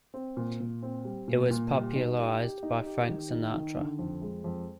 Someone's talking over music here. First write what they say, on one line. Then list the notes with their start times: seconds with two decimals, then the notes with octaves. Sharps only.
It was popularized by Frank Sinatra.
0.14 C4
0.37 A#2
0.60 A#2
0.83 C4
1.05 G3
1.28 A#2
1.50 A#2
1.73 G3
1.96 D#4
2.18 G4
2.41 G4
2.63 D#4
2.86 G4
3.08 D#3
3.31 D#4
3.54 D#3
3.77 D3
3.99 F2
4.22 G#3
4.44 F2